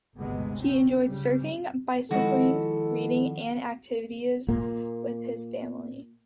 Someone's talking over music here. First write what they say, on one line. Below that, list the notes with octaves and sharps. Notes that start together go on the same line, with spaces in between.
He enjoyed surfing, bicycling, reading and activities with his family.
G1 D2 C3 G#3 B3
C4 C#4
C#3 G3
D#3 F3 G#3 E4 F#4 A4 D#5
A#2 A#3